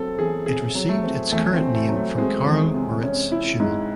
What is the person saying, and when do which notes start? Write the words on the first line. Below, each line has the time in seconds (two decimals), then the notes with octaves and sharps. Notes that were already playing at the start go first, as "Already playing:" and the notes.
It received its current name from Karl Moritz Schumann.
Already playing: F#3 C4 A4
0.18 E2 G#4
0.46 C3 G#4
0.75 F#3
0.89 A3
1.04 C4
1.32 E2 A3
1.53 C4
1.61 C3
1.75 A3
1.89 F#3
1.96 A3
2.17 G#3 C4
2.46 E2
2.74 C3
3.03 C#4
3.32 E4
3.60 G#2